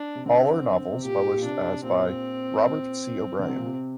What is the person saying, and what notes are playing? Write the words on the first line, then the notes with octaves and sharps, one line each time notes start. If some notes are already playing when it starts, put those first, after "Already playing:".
All are novels published as by Robert C. O'Brien.
Already playing: D4
C3
D3 C4
C3
A#2 G4
A#2
C3 D4
C3
A#2 C4
D3 C4
C3
A#2
C3